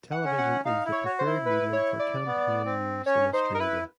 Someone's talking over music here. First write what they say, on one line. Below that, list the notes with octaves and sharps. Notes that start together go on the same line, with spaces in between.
Television is the preferred medium for campaign news in Australia.
F#5
C#4
F#5
D#4 F5
E4
C#5
F#4
C5
E4
B4
C#5
D5
B3
C4
C#4 C#5
D#4 C5
A#4
E4 B4